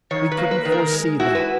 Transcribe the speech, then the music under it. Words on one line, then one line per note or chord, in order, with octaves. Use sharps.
We couldn't foresee that.
D#3 C#5
B4
A#3
B4
D#3
A#4
G#3
E4 F#4
B4